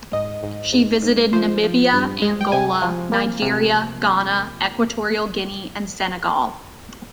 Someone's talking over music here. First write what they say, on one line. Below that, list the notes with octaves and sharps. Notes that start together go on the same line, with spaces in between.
She visited Namibia, Angola, Nigeria, Ghana, Equatorial Guinea and Senegal.
G#2 D#5
G#2
G#2
G#2
F3 C5
F3
G2
G#3
G5
C3 G#5
F3
A#3
C3